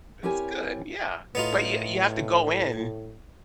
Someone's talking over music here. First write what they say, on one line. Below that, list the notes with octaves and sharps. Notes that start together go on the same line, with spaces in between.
that's good, yeah. But you you have to go in
C4 E4 G4 A#4 C#5 G#5
A2 B3 D#4 F4